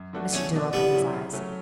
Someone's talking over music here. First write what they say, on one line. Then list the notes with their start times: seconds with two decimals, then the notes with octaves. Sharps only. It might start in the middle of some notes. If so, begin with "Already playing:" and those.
Mr. Dill opened his eyes.
Already playing: F#2
0.13 D3 A3 D4 F#4
0.33 E2 A3 C#4
0.53 B2 A3 D4 F#4
0.73 A2 G3 B3
0.93 F#3 C#4 E4
1.13 C#3
1.33 F#3 A3 C#4